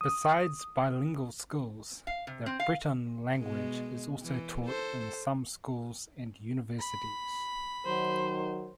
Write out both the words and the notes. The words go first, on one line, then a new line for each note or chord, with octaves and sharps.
Besides bilingual schools, the Breton language is also taught in some schools and universities.
D#6
F5
C3
C4
F5
B2 G#3
E3
A4 C5
B5
D#3 F#3 C5